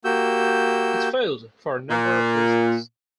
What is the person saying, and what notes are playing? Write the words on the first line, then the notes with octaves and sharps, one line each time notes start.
It failed for a number of reasons.
A#3 F#4 G4 E6 G6
A#2